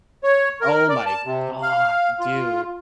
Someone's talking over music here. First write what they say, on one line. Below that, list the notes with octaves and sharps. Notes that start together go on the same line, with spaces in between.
oh, my god, dude.
C#5
A#4
D5
A5
C3
F5
F4